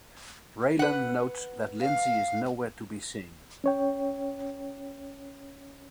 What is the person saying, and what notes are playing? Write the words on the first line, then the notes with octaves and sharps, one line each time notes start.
Raylan notes that Lindsey is nowhere to be seen.
B4 F#5
F5
C#4 C#5 G5